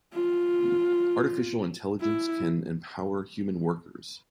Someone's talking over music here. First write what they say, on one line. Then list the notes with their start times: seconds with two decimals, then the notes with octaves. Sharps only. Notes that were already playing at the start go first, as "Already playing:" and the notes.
Artificial Intelligence can empower human workers.
0.13 F4
2.01 E4